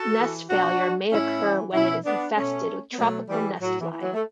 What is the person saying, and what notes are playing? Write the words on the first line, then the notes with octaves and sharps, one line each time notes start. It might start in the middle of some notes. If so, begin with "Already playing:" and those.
Nest failure may occur when it is infested with tropical nest fly.
Already playing: F#4 A4
E3
B2 D4 F#4
A2 C#4 E4
E3
B2 C#4 E4
B3 D4
B2 A3 C#4
B3
B2 F#3 A3
E3 G3
A2 F#3
E3
E3
F#3
A3